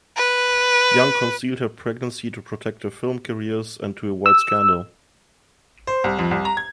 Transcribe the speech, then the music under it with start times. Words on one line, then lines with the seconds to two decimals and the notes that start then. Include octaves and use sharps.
Young concealed her pregnancy to protect their film careers and to avoid scandal.
0.17 B4
4.26 E6
5.87 C5
6.04 C2
6.19 F2
6.31 C2
6.45 A#5
6.57 G#6